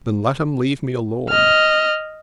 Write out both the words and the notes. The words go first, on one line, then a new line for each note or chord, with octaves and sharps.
'Then let him leave me alone.
D#5 F6